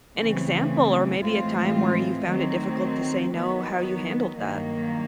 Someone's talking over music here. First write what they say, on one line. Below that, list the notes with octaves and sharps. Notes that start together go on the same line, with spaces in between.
an example or maybe a time where you found it difficult to say no, how you handled that.
C#3 E3 A3 C4
A2 E3 G#3 C4 F4
D#3 F#3 A3 C4
D#3 F#3 B3
G2 D#3 F#3 A#3